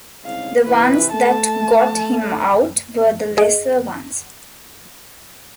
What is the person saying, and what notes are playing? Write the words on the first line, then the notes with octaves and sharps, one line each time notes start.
The ones that got him out were the lesser ones.
C2 G#2 C#3 F5
C3 E3 B4
A3 A5
G#4 D#5